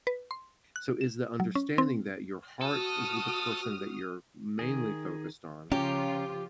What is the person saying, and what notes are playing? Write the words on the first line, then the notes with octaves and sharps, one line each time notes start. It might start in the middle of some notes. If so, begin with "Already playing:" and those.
So, is the understanding that your heart is with the person that you're mainly focused on,
B4
C6
F#6
E7
F#3
C#4
C4
F#4 A4 D#6 F6
D#3 G#4
C#3 F3 C#4 F4 G4 G5 A#5 D6